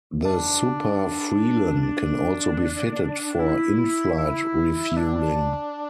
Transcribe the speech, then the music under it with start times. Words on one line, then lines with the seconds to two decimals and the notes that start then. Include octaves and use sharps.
The Super Frelon can also be fitted for inflight refueling.
0.25 D4
1.83 D4
3.39 E4
3.78 E4
4.18 E4
4.96 D4